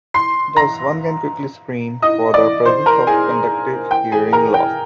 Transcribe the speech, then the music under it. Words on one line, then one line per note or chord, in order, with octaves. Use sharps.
Thus, one can quickly screen for the presence of conductive hearing loss.
C6 C7
A#5 A#6
D#5 D#6
D5 D6
C5 C6
A#4 A#5
G#4 G#5
G5
G#4 G#5
A#4 A#5
G5